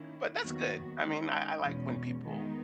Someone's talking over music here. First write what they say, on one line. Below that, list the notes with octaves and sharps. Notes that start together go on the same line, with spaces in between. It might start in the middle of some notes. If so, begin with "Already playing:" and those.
But that's good. I mean, I I like when people,
Already playing: D#3 A#3 C#4 E4
D#2 D#3 F#3 B3 F#4
D#3 G#3 C#4
E2 B2 G#3 C#4
D#3 G#3 B3 D#4